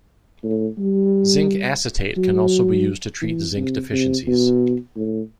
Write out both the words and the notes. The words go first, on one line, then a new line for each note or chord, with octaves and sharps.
Zinc acetate can also be used to treat zinc deficiencies.
A2
G3
F#3
E3
C3
C3
B2
A2